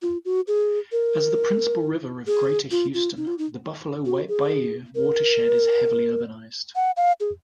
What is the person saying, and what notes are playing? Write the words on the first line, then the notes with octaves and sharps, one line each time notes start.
As the principal river of Greater Houston, the Buffalo Bayou watershed is heavily urbanized.
F4
F#4
G#4
A#4
G#4
F4
F4
D#4
F4
D#4
F#4
G#4
A#4
F#5
F5
G#4